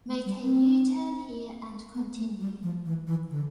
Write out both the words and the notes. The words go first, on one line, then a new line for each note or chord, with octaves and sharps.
Make a U-turn here and continue.
A3
G3
C4
B3
A3
G3
F3
E3
E3
D3